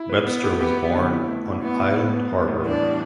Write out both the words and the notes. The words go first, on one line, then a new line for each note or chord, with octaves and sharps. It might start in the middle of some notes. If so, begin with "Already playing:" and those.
Webster was born on Island Harbour.
Already playing: E4
B4
B3
G4
B3 G4
B4
D3
E4
A3
B2
B3 E4
B2
B2
B3
G3
A2
E3 D4
G3